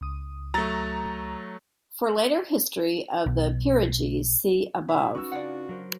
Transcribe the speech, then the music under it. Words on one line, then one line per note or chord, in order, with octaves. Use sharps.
For later history of the peerages, see above.
C#2 D#6
F#3 A3 A#5 A6
B1
B2 E4 B5
C#4 D#4 F#4 B4 C#6 E6
C#3 D4 F4 D5 F#5
F#3 A#4 C5